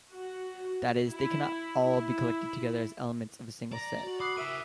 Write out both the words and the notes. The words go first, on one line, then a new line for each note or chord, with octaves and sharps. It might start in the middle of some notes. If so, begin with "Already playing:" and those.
That is, they cannot all be collected together as elements of a single set.
F#4
E4
E4
D5 A#5
F#4
B5 D6 D#6 F#6 C7
E4 A#4 E5 D#7